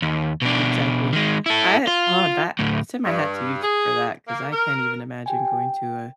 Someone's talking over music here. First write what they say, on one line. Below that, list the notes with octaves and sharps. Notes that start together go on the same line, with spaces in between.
Exactly. I uh, oh, that. I send my hat to you t for that 'cause I can't even imagine going to a
D#2
B2 D4
D#3 G#3
E4 A4
F4
D2 A2
G2
G#4
A#3
A#4
G4 G5 G#5
G5